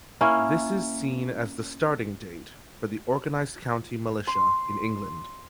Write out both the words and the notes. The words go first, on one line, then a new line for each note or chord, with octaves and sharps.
This is seen as the starting date for the organised county militia in England.
A#3 C#4 E4
C6